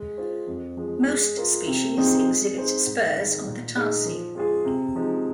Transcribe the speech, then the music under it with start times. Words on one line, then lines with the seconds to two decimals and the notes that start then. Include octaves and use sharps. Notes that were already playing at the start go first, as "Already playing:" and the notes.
Most species exhibit spurs on the tarsi.
Already playing: G#3
0.17 F4 G#4 C5
0.47 F2
0.77 F3 G#3
1.06 G#3
1.37 F4 A#4
1.67 C3
1.96 F3 C4 D#4 G#4
2.27 G#3
2.56 D#4 G#4 C5
2.86 G#2
3.16 D#3 G#3
3.46 A#2
3.75 G#3 D#4 G#4
4.05 F3
4.35 G#3 F4 G#4
4.65 C3
4.95 F3 G#3 D#4